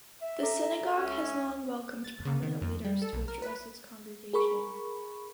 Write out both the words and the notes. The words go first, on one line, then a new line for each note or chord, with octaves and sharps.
The synagogue has long welcomed prominent leaders to address its congregation.
E5
A4 A#5
C#2 C#4 E5 G#5
A6
C#3
D#3
F2
G3
A4
B1
A#4
B4
G#4 A#4 B5 C#6